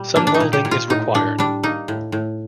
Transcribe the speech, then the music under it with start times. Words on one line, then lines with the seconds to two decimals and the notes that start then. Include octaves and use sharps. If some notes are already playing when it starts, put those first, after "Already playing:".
Some welding is required.
Already playing: A#2 G3
0.16 A#3 D4
0.27 D4
0.34 D#4
0.40 A#2
0.53 G4
0.65 A#2
0.71 F4
0.90 A2 D#4
1.14 A2 D4
1.38 G3 D4
1.63 A#3 D#4
1.88 A2
2.12 A2